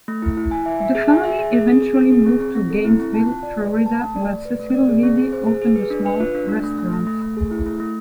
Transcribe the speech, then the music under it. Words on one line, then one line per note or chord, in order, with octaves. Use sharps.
The family eventually moved to Gainesville, Florida where Cecil Leedy opened a small restaurant.
A3
E4
E4
G#5
E5
E5
G#4
G#5
E5
G#4
G#4
G#4
G#4
G#4
G#4
C4
C4
C4
A4
E4
C4
A5
F4
D5
B4
A5
A5
A3
D5
D5
B4
A3
D5
G#4
C4
G#4
C5
G#4
G#4
B4
D4
B4
F4
D4
D4
A3
A3
A3
A3
A3
G#4
E4
A3
A3